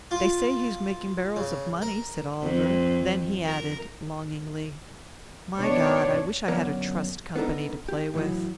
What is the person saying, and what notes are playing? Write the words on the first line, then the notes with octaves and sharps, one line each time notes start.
"They say he's making barrels of money," said Oliver; then he added, longingly, "My God, I wish I had a trust company to play with!"
F4
C#3
A#4
F2
A#4
B2 D4 C#5 D5
F#2 D3 B3 A#4 C#5 D5
B3 D4 D#4 A4 A#4
G4
A2 E3 F#3